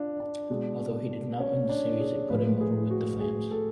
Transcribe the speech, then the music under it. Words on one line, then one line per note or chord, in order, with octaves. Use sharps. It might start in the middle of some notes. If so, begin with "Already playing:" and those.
Although he did not win the series, it put him over with the fans.
Already playing: D4 F4
D4
B2 G#3
C#4
D4
G#4
A2 F3 G#3 B4
G#4
F#4
G#4
A4